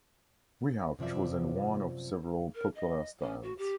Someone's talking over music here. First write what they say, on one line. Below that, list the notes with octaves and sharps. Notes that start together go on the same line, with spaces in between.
We have chosen one of several popular styles.
F#2 C3 F3 D5 E5
A#4
D#5
C#4
F#4
G4